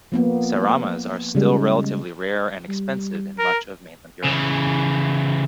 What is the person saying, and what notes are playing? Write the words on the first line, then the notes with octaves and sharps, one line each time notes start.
Seramas are still relatively rare and expensive in much of mainland Europe.
F3 A#3 B3
C#3 G3 G#3
G3
A#4
C#3 E3